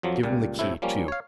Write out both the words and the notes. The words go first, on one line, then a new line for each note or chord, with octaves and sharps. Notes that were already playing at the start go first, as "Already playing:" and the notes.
Give him the key too.
F2 F3 F#3
C#2 A#2 G3
A2 C3 A3 E4
F3 G3 A#3 C#4
C#5 F5